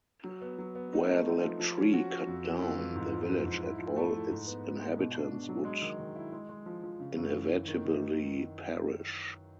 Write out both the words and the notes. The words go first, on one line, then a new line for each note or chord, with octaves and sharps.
Were the tree cut down, the village and all its inhabitants would inevitably perish.
F#3
B3
F#3
B3
D#4
A3
C4
F3
F3
C#4
F#4
F#4
F2
E3
F2
E3
G#2
F3
F3
G#2
E4
F3
A3
E4
G#2
B3
B3
G#3
B2
D4
B2
F#3
G#3
D#3
D#3
E4
G#3
G#3
F3
F3
C#3
F#2
E3
F#2
D#3
D#3